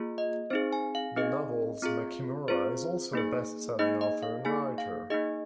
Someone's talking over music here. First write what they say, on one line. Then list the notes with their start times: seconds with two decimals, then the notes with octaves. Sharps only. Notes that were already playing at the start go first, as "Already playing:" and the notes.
The novel's Makimura is also a best selling author and writer.
Already playing: A#3 F4 G#4
0.18 D#5
0.50 C4 D#4 G#4 C5
0.73 G#5
0.95 F5
1.16 C4 D#4 G#4 D#5
1.83 C4 F4 G#4
2.48 C4 F4 G#4 C5
3.13 A#3 D#4 G#4
3.79 A#3 D#4 G#4 D#5
4.01 D#5
4.23 F5
4.45 A#3 D#4 G#4 G#5
4.78 F5
5.10 A#3 D#4 G#4 D#5